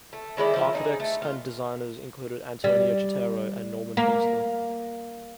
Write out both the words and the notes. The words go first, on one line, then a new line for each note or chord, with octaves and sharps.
Architects and designers included Antonio Citterio and Norman Foster.
A3
D#3 G#3 E4 D5
F3 E4 F4
D4 D#4 G#4
A3
F4
G3
A#3